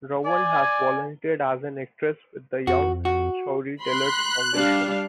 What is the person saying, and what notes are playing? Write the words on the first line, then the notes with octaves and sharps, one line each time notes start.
Rowan has volunteered as an actress with the Young Storytellers Foundation.
D5 G#5
F2 F#4
F#4
B5 C6 F#6
G3 D4 F5